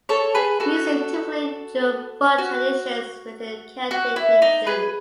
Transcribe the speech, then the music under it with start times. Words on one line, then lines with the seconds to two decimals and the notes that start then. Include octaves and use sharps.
Music typically drew on folk traditions within the Celtic nations.
0.09 A4 C#5
0.35 G#4 B4
0.60 F#4 A4
2.38 F#4
3.91 F#4
4.16 E4
4.42 D#4
4.67 G#4 B4